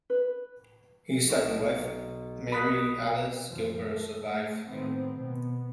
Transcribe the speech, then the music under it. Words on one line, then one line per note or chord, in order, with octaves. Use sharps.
His second wife, Mary Alice Gilbert, survived him.
B4
B1 E7
B5 D#6 F#6 B6
F#2 F3
A3
A3
A2 D#3 B3 C4
B2 B3